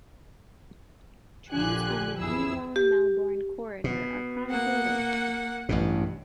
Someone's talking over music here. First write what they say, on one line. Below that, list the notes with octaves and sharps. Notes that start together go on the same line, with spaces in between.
Trains on the Geelong - Melbourne corridor are chronically late.
A#1 D3 F3 G4 G#5 F#6
E2 F3 E4 G#4 E6
G4
B2
A#3 F#5
A1 G2 B2